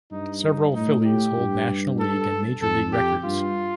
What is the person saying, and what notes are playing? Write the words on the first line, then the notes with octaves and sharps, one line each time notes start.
Several Phillies hold National League and major league records.
G2 D#4
D#4
A2 D#4
G4
G2
A4
F2 A4
G4
G2 F4